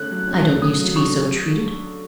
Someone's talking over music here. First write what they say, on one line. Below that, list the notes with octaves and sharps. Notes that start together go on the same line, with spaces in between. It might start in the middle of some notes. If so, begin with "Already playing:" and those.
I don't use to be so treated.
Already playing: D3 A3 C#4 F#6
F#3
C#4
D3
A3 D#6
F#3
D3 C#6